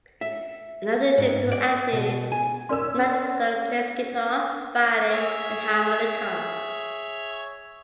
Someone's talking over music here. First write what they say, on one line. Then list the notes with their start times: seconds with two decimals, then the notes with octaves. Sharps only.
In addition to acting, Matheson plays guitar, violin and harmonica.
0.21 E5
1.18 G#2
1.52 D5
1.93 B2
2.32 G#5
2.69 C#4 A#4 D5 C6 E6
5.11 G#4 C#5 E5